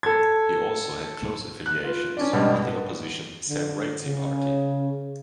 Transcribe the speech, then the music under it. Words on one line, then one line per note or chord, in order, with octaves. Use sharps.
He also had close affiliations with the opposition Sam Rainsy Party.
A4 G#6
F#6
F4 B4
C#4 D4 D5
A1 G2 B2 G3 G#3
B3
D3
C#3